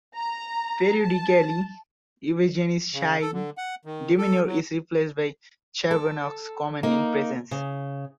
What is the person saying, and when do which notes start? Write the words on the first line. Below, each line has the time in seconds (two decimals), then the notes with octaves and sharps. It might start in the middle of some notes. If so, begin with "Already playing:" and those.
Periodically Yvgenie's shy demeanor is replaced by Chernevog's commanding presence.
0.16 A#5
1.02 A5
2.94 C#3
3.21 A4
3.33 D3
3.57 F#5
3.85 D#3
4.18 A4
4.46 F#3
5.91 A4
6.83 A#3 D#4
7.51 C#3